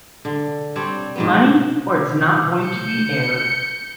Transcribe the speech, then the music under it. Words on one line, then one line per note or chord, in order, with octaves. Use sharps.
Money, or it’s not going to be aired!
D3
G3 C4 D4 C#5
G#2 F#3 B3
G6 C#7